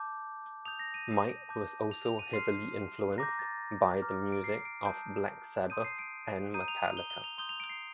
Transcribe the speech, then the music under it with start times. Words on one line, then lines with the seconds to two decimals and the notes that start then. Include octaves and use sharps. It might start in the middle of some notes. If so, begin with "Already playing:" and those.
Mike was also heavily influenced by the music of Black Sabbath and Metallica.
Already playing: A5 D6 G6
0.65 A5 D#6 G6 F7
0.79 A#6
0.94 D#7
1.49 A5 D6 G6
1.91 F7
2.06 F7
2.19 D#7
2.33 C6 F6 C7
3.18 A#5 D6 G6 A#6
3.39 A6
4.02 A#5 D6 F6
4.32 D7
4.44 C7
4.65 D7
4.86 A5 D#6 G6 D7
5.70 C6 D#6 G6 D#7
5.84 C7
5.99 D7
6.54 A#5 D#6 G6 D#7
6.68 F7
6.82 F7
6.97 G7
7.10 G7
7.24 F7
7.38 C6 D#6 G6 G7
7.49 F7
7.60 D7
7.69 C7